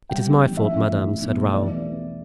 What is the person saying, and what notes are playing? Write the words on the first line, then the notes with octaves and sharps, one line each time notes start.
"It is my fault, madame," said Raoul.
G3 G5
B3
A1
A1 E5
A1
A2
A3
B1
A3
E2 D5
B3
B3